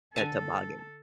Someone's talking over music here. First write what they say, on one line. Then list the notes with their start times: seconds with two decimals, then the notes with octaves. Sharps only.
A toboggan.
0.16 D3 A4 G#5 A5